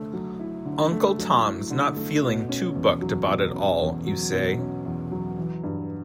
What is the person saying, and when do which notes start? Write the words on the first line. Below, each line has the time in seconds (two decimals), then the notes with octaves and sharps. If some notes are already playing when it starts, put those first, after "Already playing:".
Uncle Tom's not feeling too bucked about it all, you say?
Already playing: D3 A3
0.13 F#3
0.39 E4
0.66 D3
0.91 A3
1.18 F#3
1.44 E4
1.70 D3
1.97 A3
2.23 B2
2.49 C#4
2.75 E2
3.02 F#3
3.27 B2
3.54 C#4
3.80 E2
4.07 F#3
4.32 B2
4.58 C#4
4.85 E2
5.11 F#3
5.38 E3
5.64 G2